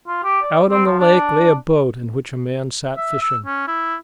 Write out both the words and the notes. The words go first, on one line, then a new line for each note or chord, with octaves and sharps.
Out on the lake lay a boat in which a man sat fishing.
F4
G4
D5
C4
F3
D4
E5
E6
C#4
E4